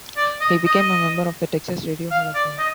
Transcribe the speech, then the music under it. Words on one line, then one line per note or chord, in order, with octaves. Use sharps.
He became a member of the Texas Radio Hall of Fame.
D5
D#5
D#5
F5
D5
D#5